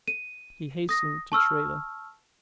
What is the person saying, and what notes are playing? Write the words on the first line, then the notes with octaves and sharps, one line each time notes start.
He hastened to Tredah.
D#7
D#6 A#6
A5 C#6 E6 F6